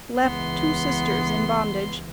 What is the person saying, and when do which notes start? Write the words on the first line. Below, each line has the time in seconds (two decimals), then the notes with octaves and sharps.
Left two sisters in bondage.
0.21 C#2 E3 B3 C6